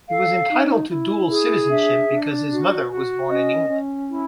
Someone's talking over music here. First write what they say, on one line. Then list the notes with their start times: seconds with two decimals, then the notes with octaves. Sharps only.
He was entitled to dual citizenship because his mother was born in England.
0.10 A4 F5
0.50 D#4
0.90 E4
1.30 G#4
1.69 D4 E5
2.10 D4
2.49 F#4
2.90 F#4
3.30 C#4 D#5
3.69 C#4
4.09 E4